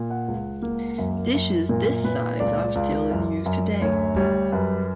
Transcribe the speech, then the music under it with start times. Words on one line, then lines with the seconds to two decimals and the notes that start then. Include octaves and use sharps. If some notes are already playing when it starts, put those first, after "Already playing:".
Dishes this size are still in use today.
Already playing: A#2
0.10 F#5
0.28 C#2
0.62 A#3
0.98 F#2
1.34 F#2
1.69 A#2 A#4
2.04 A#2 B4
2.40 C#2 D5
2.75 C#2
3.11 F#2
3.46 F#2
3.82 D2 C#5
4.16 G3 C#5
4.52 F#2 B4